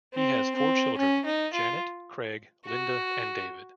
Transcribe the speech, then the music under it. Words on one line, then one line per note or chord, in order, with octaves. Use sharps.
He has four children: Janet, Craig, Linda, and David.
C4
C4
C#4
D#4
F4
F#4